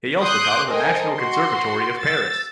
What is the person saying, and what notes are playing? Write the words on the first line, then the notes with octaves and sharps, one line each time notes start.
He also taught at the National Conservatory of Paris.
C6 D6 D#6 F#6 G6
A4 A#4 C5 D#5 G5 G#5
F#4 C6
E6 A6